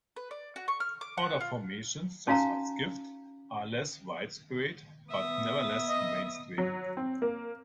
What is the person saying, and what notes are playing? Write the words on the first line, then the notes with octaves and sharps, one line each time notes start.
Other formations, such as "gift", are less widespread but nevertheless mainstream.
B4
D5
F#4
C#6
F6
D6
F#5
F4
C#4 D#4 F#4 F5 G#5 A#5
B3 E5 D#6
D#5
F#3
C4
A#3